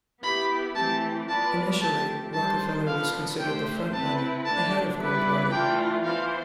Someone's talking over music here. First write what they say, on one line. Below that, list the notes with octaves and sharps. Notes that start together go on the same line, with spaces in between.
Initially, Rockefeller was considered the front-runner, ahead of Goldwater.
B3 E4 G4 B5
E3 A3 C4 G4 A5
B3 F4 B4 D5 A5
F3 A3 C4 G4 A5
G3 D4 A4 C5 A5
F3 B3 D4 A4 F5
A3 D4 G4 C5 G5
C4 E4 B4 A5
D3 A3 D4 A5
G3 B3 E4 B4 D5
E3 A3 D4 F4 G5
E3 B3 F4 C5 F5